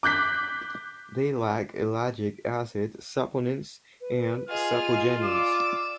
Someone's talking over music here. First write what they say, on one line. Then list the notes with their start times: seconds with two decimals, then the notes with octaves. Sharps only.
They lack ellagic acid, saponins, and sapogenins.
0.03 D6 F#6 G6 B6
4.00 B4
4.49 F4 G#4 D#5 F6
5.24 D5 D6 E6